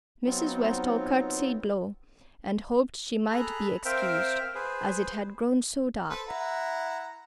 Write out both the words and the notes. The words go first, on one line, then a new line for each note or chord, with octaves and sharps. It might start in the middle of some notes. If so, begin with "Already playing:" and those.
Mrs. Westall curtsied low, and hoped she might be excused, as it had grown so dark.
F#3 B3 C4 D#4 F4
G#4 A4 A#5 B5 F#6
C4 A#4 C5 E5 F5 G5
G#4 B4 C5
A4 B4 C5
E4 F#5 A#5